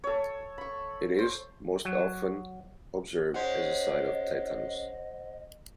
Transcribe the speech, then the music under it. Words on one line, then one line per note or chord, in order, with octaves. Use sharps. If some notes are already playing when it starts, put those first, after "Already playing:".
It is most often observed as a sign of tetanus.
A4 C#5
B5 C#6
C5
F#3
G#3 C#4 C5 D#5 F#5